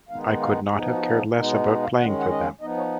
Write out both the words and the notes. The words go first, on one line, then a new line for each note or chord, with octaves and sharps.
I could not have cared less about playing for them.
D#3 G#3 B3 D#4 F5
F5
F3 B3 D#4 G#4
F#4
G#4
B2 G#3 B3 D#4 A#4
C#5
D#5
F5
D#3 G#3 C#4 F#5
F#5
D#5
F5
F3 B3 D#4 D#5
C#5